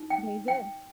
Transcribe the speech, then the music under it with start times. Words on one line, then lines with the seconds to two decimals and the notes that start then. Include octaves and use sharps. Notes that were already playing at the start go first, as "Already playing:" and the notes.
They did.
Already playing: D#4
0.10 G5
0.48 G5